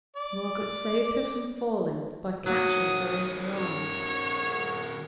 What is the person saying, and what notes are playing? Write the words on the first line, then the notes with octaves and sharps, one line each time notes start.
Margaret saved her from falling by catching her in her arms.
D5
D#3 F#3 F#4 D#6
C#5